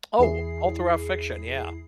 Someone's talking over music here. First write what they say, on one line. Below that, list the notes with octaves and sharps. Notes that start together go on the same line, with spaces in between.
Oh, all throughout fiction, yeah.
E2 E4 G#4 C7